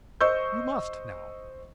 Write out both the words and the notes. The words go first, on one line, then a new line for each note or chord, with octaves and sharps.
You must, now!
C5 D#5 C#6 E6 G6